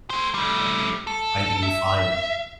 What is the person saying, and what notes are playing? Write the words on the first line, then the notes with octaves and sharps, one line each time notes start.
finding new finds.
A3 C5
G3 A3
A4
E5